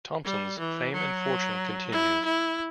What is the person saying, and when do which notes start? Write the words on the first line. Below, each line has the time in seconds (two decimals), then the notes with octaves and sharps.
Thompson's fame and fortune continues.
0.25 G3
0.58 E3
0.93 F#3
1.92 E4
2.25 E4